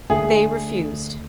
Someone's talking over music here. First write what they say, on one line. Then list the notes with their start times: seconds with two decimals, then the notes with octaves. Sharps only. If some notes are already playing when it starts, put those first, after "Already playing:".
They refused.
0.10 D2 D3 A3 G#4